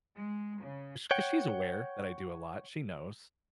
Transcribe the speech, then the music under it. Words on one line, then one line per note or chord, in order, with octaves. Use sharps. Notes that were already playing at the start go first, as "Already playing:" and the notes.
Sh 'Cause she's aware that I do a lot, she knows.
G#3
C#3
C#5 F#5 G5